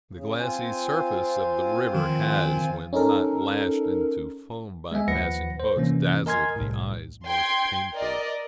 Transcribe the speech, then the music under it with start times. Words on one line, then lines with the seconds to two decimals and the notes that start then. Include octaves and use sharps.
The glassy surface of the river has, when not lashed into foam by passing boats, dazzled the eyes most painfully.
0.13 C#3
0.38 C4 F4 G#5
1.95 D#3 F3
2.93 C#4 D#4 A4 A#4
4.92 G#3 B3 D#5 E5 G#5
5.08 D#2 F3 B4 F#5 A#6 C#7
5.60 C5
5.76 C3 E3 A#3 C#4
6.26 A#4 D#5 G#5 C6 F6 G#6
6.56 C2 A2
7.25 G5 C6 G#6
7.95 A#4 D5 D#5